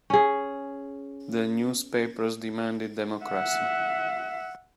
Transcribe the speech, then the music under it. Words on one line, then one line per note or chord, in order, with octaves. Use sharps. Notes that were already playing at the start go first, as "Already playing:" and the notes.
The newspapers demanded democracy.
C#4 G#4
E5 F#5